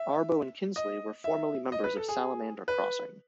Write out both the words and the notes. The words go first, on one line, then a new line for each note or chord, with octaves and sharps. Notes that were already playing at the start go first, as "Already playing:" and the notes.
Arbo and Kinsey were formerly members of Salamander Crossing.
Already playing: E5
D#5
E5
D#5
B4
A4
G#4
B4